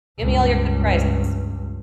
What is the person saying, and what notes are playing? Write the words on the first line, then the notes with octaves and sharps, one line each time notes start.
Give me all your good prices.
C#2 G2